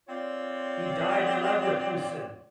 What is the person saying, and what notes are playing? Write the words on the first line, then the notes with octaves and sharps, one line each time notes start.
He died in Leverkusen.
C4 F4 C#5 D5